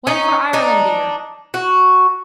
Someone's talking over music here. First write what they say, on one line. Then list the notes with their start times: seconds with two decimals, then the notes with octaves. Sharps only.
When for Irelandear.
0.07 C#4 D#4
0.53 D4 D#4
1.54 F#4